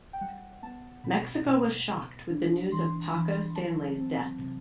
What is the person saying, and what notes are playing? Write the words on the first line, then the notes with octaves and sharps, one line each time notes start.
Mexico was shocked with the news of Paco Stanley's death.
G5
G3 F#5
B3 A5
B2 B5
B2
B3
D4
E3 C6
E3 B5
F#3 A5
C4
C3